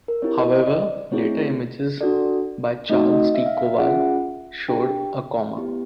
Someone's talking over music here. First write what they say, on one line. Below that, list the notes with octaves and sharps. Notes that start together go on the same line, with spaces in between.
However, later images by Charles T. Kowal showed a coma.
A#4
C4 E4 G4 C#5
D#5
D#5
D5
A3 C4 E4 G#4 C#5
D4 F#4 A4 D5
A3 C4 D#4 F#4 D#5
D#5
E5
F5
F5
E5
C#4 F4 G#4 F#5
D4 G4 G5
B3 E4 G4